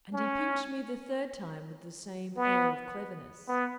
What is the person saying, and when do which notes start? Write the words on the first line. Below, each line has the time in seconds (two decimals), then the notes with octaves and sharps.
And he pinched me the third time with the same air of cleverness.
0.13 C#4
2.37 B3
3.48 B3